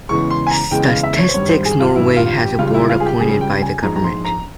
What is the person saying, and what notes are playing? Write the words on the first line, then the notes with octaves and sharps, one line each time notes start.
Statistics Norway has a board appointed by the government.
E2 C#3 E3 G#3 C#6
C6
G#5
A#5
E2 C#3 E3 G#3 G5
F5
E5
C#5
C5
G#1 G2 G3 C#5
C5
G#4
F4
G#1 G2 G3 E4
F4
G4
C#2 C#3 G3 F4
E4
F4
G#4
G4
C#2 C#3 G3 G#4
G5
G#5
A#1 G#2 F3 G#3 A#5
A#5
C6
A#5